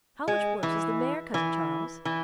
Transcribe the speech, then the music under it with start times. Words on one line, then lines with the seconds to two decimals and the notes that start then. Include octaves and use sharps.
"How much worse is the mare, cousin Charles?"
0.28 G#3
0.63 E3
1.34 E3
2.05 E3